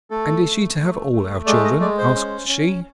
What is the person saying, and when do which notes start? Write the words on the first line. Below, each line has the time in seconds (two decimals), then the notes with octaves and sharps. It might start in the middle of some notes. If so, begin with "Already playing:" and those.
'And is she to have all our children?' asked she.
0.10 A3 A4
0.44 A3
0.78 A3
1.12 A3
1.46 G#3 D5
1.64 D#5
1.81 G#3 D5
1.98 C5
2.15 C#4
2.48 C#4